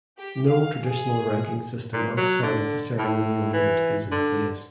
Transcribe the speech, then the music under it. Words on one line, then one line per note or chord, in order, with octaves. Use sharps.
No traditional ranking system outside of the ceremonial unit is in place.
G4
F5
G#4
A#2
F#3
D3
A2
E3
D3